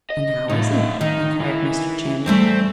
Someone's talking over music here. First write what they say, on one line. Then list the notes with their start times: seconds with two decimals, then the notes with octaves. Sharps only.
"And how is he?" inquired Mr. Channing.
0.10 D#5
0.50 A2 D#4 F4
1.01 D#3 D#4
1.41 E3
2.26 E2 G3 A3 C4